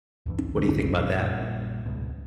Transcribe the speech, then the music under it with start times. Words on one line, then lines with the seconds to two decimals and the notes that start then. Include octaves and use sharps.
What do you think about that?
0.26 D2 G2 E3
0.55 D3 G3 C4
0.81 F#1 C#3
0.97 A#1 A#2 G3
1.86 C#2 G#2 B2